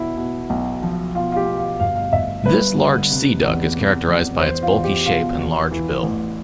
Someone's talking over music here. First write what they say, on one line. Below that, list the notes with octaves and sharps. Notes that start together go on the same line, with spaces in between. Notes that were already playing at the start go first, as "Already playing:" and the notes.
This large sea duck is characterised by its bulky shape and large bill.
Already playing: E2 B2 E4
B2
B1
F3
B2 F4
F4
G4
B2
F5
G1 F5
F5
G1 E5
G2 B4
D3
C3
E2
C3
F2
E2 C5
F4
E2
G4
B2 F4
E2
E3
A1